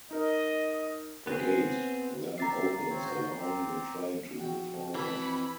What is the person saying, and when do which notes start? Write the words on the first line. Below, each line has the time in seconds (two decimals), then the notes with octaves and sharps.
The gate then opens, allowing the train to move forward.
0.11 D#4 A#4 D#5
1.27 B3 C4 G#4
2.38 G4 E5 A#5 A6 C7
2.74 C#3
2.90 C#3 C4 C#5
3.04 G#2 F#4 G6
3.39 C4 G4
4.38 A#1 F#4 G5
4.95 E3 C4 A5 B5